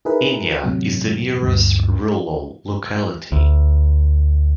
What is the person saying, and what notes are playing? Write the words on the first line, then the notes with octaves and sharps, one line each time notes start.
Inya is the nearest rural locality.
D#4 E4 G#4 A#4 B4
E2 A2 C3 F#3
D2 G2
D2